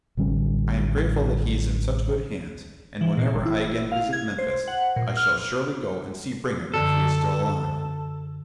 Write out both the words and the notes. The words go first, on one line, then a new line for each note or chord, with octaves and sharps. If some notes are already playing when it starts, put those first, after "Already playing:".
I am grateful that he is in such good hands, and whenever I again visit Memphis I shall surely go and see Brigham if he is still alive.
A1 D3 G3 C#4
E3
A#2
G1
E4
F5
G#6
C5
F#5
A#2
F6
F#2 D3 A4